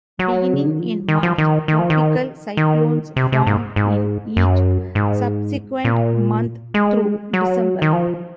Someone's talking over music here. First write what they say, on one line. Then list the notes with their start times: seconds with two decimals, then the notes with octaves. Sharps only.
Beginning in March, tropical cyclones formed in each subsequent month through December.
0.19 F#3
0.54 C#3
0.66 D#3
0.79 F3
1.08 D#3
1.23 F3
1.38 D#3
1.68 D#3
1.79 F3
1.90 D#3
2.57 D#3
3.16 C3
3.32 C3
3.47 G#2
3.76 G#2
4.37 F#2
4.95 G#2
5.85 A#2
6.74 G#3
7.33 F#3
7.82 D#3
7.93 F3